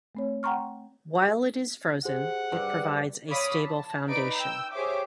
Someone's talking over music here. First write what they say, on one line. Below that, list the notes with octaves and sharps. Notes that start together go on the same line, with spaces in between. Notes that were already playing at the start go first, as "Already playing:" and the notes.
While it is frozen, it provides a stable foundation.
A3 C4 C#5
F#5 G5 A#5 C6 C#6 F6
G4 G#4 C5 F#5
G2
C#5 D5 F5 B5 D#6
A5
D#4 B4 D5 B5 D7
G5 E6 G6
G4 G#4 C5 C#5 E5 D6